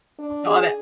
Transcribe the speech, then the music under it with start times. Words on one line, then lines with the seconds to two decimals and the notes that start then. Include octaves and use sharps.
I love it.
0.19 D4
0.47 G#4